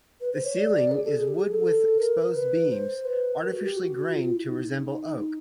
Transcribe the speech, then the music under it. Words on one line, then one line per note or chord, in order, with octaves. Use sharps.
The ceiling is wood with exposed beams artificially grained to resemble oak.
B4
C5
C#5
D5
G#4
A4
G#4
G4
G#4
A4
A#4
B4
C5
B4
A#4
F#4
G4
F#4
F4
F4
E4
D#4
D#4